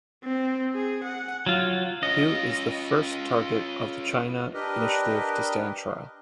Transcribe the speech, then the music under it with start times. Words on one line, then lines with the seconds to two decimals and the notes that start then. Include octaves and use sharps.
Hu is the first target of the China Initiative to stand trial.
0.24 C4
0.74 G#4
1.04 F#5
1.46 F#3 F4
2.03 C#4 F4 D#5
4.54 D4 G4 A#4 B4 D#5